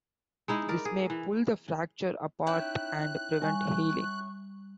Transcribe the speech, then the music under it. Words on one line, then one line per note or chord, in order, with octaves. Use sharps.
These may pull the fracture apart and prevent healing.
G#3 D#4 E4
A#4 D5
G#4
E3
C#4 D#4 E4 G5 F#6
G3 G#5 C#6